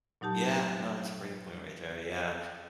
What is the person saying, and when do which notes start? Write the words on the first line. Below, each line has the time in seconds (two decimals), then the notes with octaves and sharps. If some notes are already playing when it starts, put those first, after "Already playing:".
Yeah. No, that's a great point right there, yeah.
0.21 A#2 F#3 D#4 G4 A5